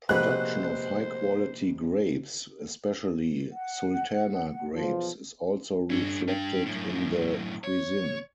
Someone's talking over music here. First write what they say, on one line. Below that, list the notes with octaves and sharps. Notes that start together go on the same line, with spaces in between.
Production of high quality grapes, especially Sultana grapes is also reflected in the cuisine.
A#1 C3 G#3 A#3 F#4 B4 C5 F#6
F#5
B1 E2 F3
G2 C#4 A4
D4 G5
F#2 A2
C#5